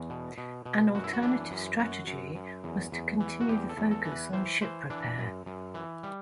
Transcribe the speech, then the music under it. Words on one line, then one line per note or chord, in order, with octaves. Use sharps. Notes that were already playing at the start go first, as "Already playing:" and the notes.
An alternative strategy was to continue the focus on ship repair.
Already playing: E2
B2
B2
B2
F#2 F#4
E4
F#4
E3 D4
F#2
F#2 F#4
F#2
F#2
E2
E2
E3
F#4
E2 G4
A4
E2
A4
E3
B4
E3 C5
E3 C5
E3 D4
F#2
F#2
E3
G3